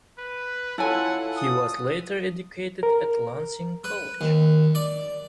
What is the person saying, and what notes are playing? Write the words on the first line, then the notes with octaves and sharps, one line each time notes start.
He was later educated at Lancing College.
B4
E4 F4 A4 C#5 F#5 G#5
D#6
A#4
B4
D#2
D5